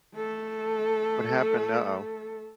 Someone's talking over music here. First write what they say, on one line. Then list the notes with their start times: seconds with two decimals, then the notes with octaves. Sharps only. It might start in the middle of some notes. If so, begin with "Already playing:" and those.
What happened? Uh-oh.
0.16 A3 A4